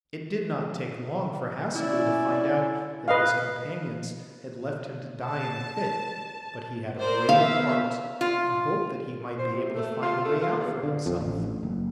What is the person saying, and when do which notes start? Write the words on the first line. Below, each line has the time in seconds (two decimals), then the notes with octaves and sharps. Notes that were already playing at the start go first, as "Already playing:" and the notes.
It did not take long for Hassebu to find out that his companions had left him to die in the pit, but he had a brave heart, and hoped that he might be able to find a way out for himself.
1.75 C#4 E4 D5
3.08 B4 D#5 F5
5.24 A5
6.99 A#4 C5 D5
7.29 B3 E5 F5
8.21 F4
9.37 C5
9.53 C3
9.75 A3
10.02 F4
10.24 A3
10.42 F4
10.60 E2
10.83 D3
11.06 F2
11.20 A1
11.63 F#1